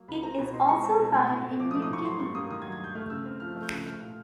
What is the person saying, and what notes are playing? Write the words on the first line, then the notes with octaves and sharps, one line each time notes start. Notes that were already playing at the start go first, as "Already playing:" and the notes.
It is also found in New Guinea.
Already playing: F#3 A#3
C#2 B5
C4 A#5
B2 B5
D#4 C6
G#3 C#6
C4
B2
A3
A2
C4
F3 D6
D#6
A3
D#6
A2 C#6
F#3 C6
G2 C#6
A#3 D#6
D#3 D#6
G#6
F#3
G#6
G2 G6
A3 F6
C#3 E6
C4 F6
F3 F6
A3
G6
C#3 F#6
A3 F6
A#2 F6